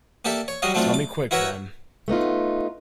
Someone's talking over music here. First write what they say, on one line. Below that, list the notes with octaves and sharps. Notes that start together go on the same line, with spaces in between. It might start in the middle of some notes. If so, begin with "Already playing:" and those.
Tell me quick, then.
A#3 G4 A4 D5 E5
C#5
F#3 G3 F#4 D#5 F5
F#3 A3 C4 D4 F4 D5
D6
E4 F#4 A#4 B4 C#5 E5
A3 B3 D#4 F4